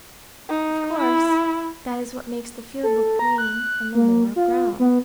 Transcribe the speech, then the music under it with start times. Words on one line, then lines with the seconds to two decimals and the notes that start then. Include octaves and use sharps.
Of course: that is what makes the field look green and the moor brown.
0.49 D#4
0.98 E4
2.83 A4
3.19 A#5
3.38 F#6
3.95 A#3
4.36 F4
4.79 B3